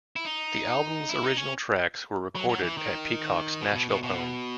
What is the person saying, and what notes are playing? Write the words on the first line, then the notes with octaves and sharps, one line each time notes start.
The album's original tracks, were recorded at Peacock's Nashville home.
E4
D#4
E4
D#4
C#4
F#3
F#3
E3
D#3
B2
B2
B2
B2